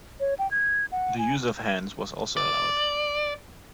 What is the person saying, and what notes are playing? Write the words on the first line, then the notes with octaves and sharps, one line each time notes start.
The use of hands was also allowed.
C#5
G5
G#6
F#5
G#5
D5